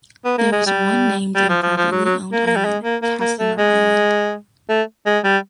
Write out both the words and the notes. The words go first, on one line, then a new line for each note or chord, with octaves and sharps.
There is one named and privately owned island, Casimir Island.
B3
A#3
G#3
G3
G3
F3
F3
F3
F#3
F#3
A#3
A#3
G3
G#3
A#3
A#3
A#3
A3
G#3
A3
G#3
G3